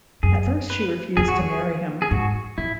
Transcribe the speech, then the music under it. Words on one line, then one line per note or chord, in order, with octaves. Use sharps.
At first she refused to marry him.
F#2 G#4
B4
E2 G#4
F#4
G#4
G#4
G#2 F#4
A2 E4